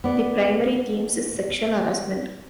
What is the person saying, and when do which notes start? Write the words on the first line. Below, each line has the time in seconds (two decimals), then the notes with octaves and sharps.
The primary theme is sexual harassment.
0.04 B3 D5